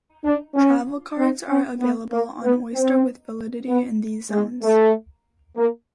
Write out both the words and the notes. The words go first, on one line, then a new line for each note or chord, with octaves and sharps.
Travelcards are available on Oyster with validity in these zones.
D4
C#4
C4
C#4
B3
A#3
B3
C4
B3
G#3
A3
A#3